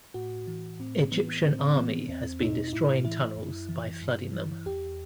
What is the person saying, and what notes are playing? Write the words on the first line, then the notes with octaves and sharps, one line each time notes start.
Egyptian Army has been destroying tunnels by flooding them.
A2 F#4
E3
A2 C4
E3 B3
A2 C4
E3 B3
E2 C4
B2 D#4
D#4
A2 E4
E3 E4
F#2
E3
G2
E3
E2 G4